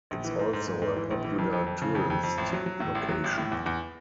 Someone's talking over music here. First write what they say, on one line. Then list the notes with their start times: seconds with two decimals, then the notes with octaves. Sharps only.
It's also a popular tourist location.
0.11 A#1
0.24 E3
0.39 G#2
0.53 G#2
0.68 G#2
0.82 G#2
0.96 E3
1.11 A#1
1.24 E3
1.38 F2
1.53 F2
1.66 F2
1.82 C#3
1.95 F2
2.10 F2
2.23 F2
2.38 A1
2.53 F#3
2.66 F#3
2.80 A2
2.95 A1
3.08 F#3
3.24 A1
3.38 A2
3.52 E2
3.66 E2